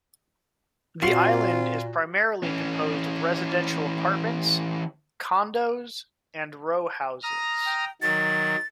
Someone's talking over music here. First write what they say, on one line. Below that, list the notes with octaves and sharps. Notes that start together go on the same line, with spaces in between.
The island is primarily composed of residential apartments, condos and row houses.
A#2 C4 F4 F#4 C7
E3 C#4
A#5 D#6 F6
G5
D#3 F#3 A6